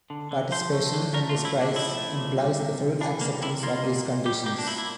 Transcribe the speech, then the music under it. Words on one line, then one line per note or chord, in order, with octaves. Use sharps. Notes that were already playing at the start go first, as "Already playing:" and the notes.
Participation in this prize implies the full acceptance of these conditions.
D3
D3
F3 C5
A3
D3
A3 A#4
F4
A#2
E4
A#2
D4
F3 E4
A3
A#2
G3
C3
C3
E3 D4
G3 A#3
C3 E4
A#3 F4
A#2
A#2
G3 G4
A#3 G4
D4
A#2 E4
E4